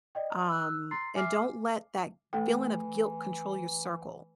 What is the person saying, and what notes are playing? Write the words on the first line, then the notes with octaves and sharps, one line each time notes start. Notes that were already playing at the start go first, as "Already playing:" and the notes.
Um, and don't let that feeling of guilt control your circle,
D5 D#5 G5
A#5
E6 F#6
A#5 C6 A6 C7
E5 G#5 D6 F6 C7
E3 A3 A4 G5